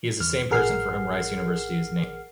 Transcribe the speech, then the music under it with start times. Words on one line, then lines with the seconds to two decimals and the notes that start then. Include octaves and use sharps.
He is the same person for whom Rice University is named.
0.20 E2 F6
0.51 A1 G#4 A#4 F#5 F6 C7